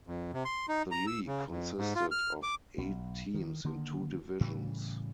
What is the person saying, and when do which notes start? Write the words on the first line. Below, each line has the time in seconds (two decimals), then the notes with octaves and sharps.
The league consisted of eight teams in two divisions.
0.07 F2
0.33 C3
0.45 C6
0.69 D#4
0.91 A#5
1.07 E6
1.27 C#3
1.51 F2
1.77 G#2
1.95 F4
2.11 F6
2.43 D6
2.78 B1
3.34 D#3
3.64 D3 D#3 A#3
4.41 A2 C#3 E3 G3